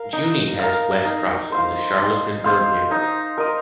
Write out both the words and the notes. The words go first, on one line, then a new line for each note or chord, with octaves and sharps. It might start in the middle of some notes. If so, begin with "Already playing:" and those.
Juni heads West crossing the Charlottenburg neighborhood.
Already playing: A#4 F5
D#4
A#4 F5
D#4
C5 F5
D#4
C5 F5
D#4
A#4 D#5